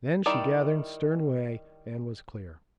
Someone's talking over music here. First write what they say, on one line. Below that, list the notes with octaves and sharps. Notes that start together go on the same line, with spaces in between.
Then she gathered stern way and was clear.
D#3 G3 E4 D5